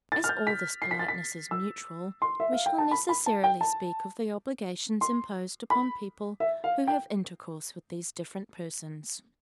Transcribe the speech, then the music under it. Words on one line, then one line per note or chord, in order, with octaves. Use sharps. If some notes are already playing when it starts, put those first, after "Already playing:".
As all this politeness is mutual, we shall necessarily speak of the obligations imposed upon people who have intercourse with these different persons.
A6
F6
G6
B6
C7
B6
A6
B6
E6
C6
E5
F5
G5
A5
B5
B5
A5
G5
A5
C6
B5
E5
F5
G5